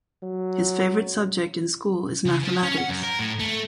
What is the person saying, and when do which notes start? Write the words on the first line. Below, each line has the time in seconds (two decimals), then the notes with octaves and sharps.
His favourite subject in school is Mathematics.
0.23 F#3
2.25 C#3
2.43 F3
2.63 C#4
2.77 F#5
2.89 F#2
3.03 A#4
3.19 A2
3.39 A3